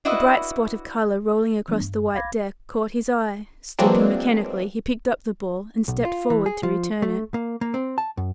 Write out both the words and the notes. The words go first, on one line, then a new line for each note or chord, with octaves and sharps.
The bright spot of colour rolling across the white deck caught his eye; stooping mechanically, he picked up the ball, and stepped forward to return it.
D4 E4 F#4 B4 D#5 E5
E3 G3 A3 B3 D4
G2
B1 F5 B5 D6 G#6 A#6
E3 F#3 G#3 A#3 C4 D4
B1
F4
E3
G#4
F3
A3
A#3
A#3
C4
A5
F#2